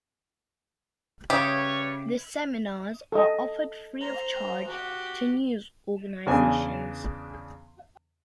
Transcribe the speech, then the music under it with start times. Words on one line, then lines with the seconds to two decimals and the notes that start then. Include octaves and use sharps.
The seminars are offered free of charge to news organizations.
1.30 C#3 G3 G4 B4 C#5 E5
3.12 A4 D#5
4.01 C5 A#5
4.67 F#4 G4
6.26 E2 C#3 D4 G#5